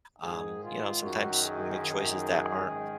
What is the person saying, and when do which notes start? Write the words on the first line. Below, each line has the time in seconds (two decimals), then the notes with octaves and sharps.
Um, you know, sometimes, we make choices that aren't,
0.21 G#2 D#3 G#4
0.62 F4
1.02 F#2 D#3 F#4
1.42 G#4
1.82 F#2 D#3
2.62 G#2 D#3